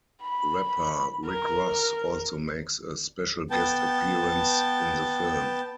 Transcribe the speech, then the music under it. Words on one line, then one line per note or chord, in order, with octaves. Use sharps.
Rapper Rick Ross also makes a special guest appearance in the film.
B5
A#4
B3 G5 A5